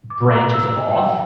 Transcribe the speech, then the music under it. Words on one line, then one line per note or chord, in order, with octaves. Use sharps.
branches off.
D6
A#5
E6
G5